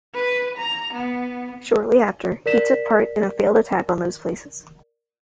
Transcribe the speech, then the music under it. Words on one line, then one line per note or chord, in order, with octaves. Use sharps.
Shortly after, he took part in a failed attack on those places.
B4
A#5
B3
A#4 D5 B6 E7